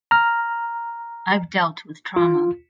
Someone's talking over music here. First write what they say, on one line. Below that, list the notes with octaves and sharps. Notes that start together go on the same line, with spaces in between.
I’ve dealt with trauma.
A#5 F6
F4